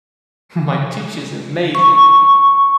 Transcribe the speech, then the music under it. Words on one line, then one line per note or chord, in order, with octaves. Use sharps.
My teacher is amazing.
C#6